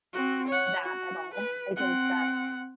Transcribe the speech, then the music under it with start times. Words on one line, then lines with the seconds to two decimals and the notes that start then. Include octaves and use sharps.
that at all. I think that,
0.13 C4 F#4
0.48 C#5 F#5
0.83 F#4
1.34 B4
1.76 C4 F#5